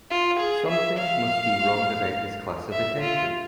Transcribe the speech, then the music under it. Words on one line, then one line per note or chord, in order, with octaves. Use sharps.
Something must be wrong about this classification.
F4
G#4
E5
F5
E5
F4